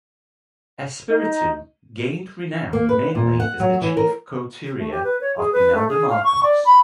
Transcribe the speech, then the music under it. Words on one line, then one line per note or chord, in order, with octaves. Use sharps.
Espiritu gained renown mainly as the chief couturier of Imelda Marcos.
D#4
A#3
B4
A#2
F#5
F#3
E3
A#4
A3
G4
B4
C#5
G#4
B4
A3
G#4
F5
C#6
D5
B5